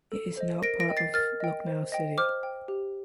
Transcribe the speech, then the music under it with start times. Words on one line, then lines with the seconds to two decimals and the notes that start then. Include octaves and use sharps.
It is now part of Lucknow city.
0.12 A4
0.37 C5 D#5
0.62 A#4 A#6 D7
0.80 A#6 D7
0.89 D#5 G5
0.97 A6 C7
1.14 A#4 F6 A6
1.40 D#5 G5
1.67 C5
1.92 D#5 G5
2.18 C5 D6 F6
2.43 G5
2.68 G4